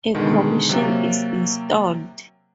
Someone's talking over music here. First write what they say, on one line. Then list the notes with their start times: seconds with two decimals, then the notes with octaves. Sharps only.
A commission is installed.
0.14 B2 D3 D#3 G#3
0.69 C3 F#3 A#3